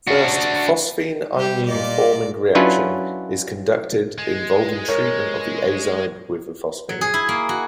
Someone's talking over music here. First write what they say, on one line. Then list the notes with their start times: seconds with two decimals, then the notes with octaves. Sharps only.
First phosphine imine-forming reaction is conducted involving treatment of the azide with the phosphine.
0.07 D4 F#4
1.35 G3 G4
1.67 A#2 G4 D5 D#5 D6
2.55 F#3 C#4 D4 E4 F4 B4
4.18 G#3
4.88 A#4 C#5
6.89 F#3
7.01 G#4
7.14 E4
7.29 A#3
7.49 F#4